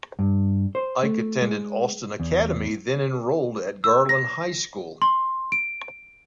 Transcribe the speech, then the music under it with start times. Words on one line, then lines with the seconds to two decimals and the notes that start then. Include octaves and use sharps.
Ike attended Austin Academy, then enrolled at Garland High School.
0.19 G2
0.75 C5
1.03 A3
1.42 G#3
2.20 E2
3.84 E6
4.09 A#6
5.02 C6
5.52 D7